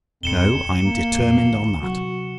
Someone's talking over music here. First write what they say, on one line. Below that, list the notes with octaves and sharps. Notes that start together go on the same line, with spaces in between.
No: I'm determined on that.
D#1 F2 C#7 E7 G7
A#3
F2 A2
A1 D2 A#2
C3 F#3 F#4